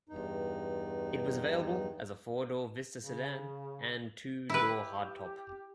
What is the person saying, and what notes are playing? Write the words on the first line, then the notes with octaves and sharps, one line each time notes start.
It was available as a four-door Vista sedan and two-door hardtop.
E2 G2 D#4
C#3
E4 G4 B4